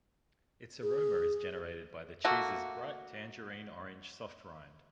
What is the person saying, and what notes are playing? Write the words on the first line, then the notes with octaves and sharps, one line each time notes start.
Its aroma is generated by the cheese's bright tangerine-orange soft rind.
G#4
A3 A#3 F#4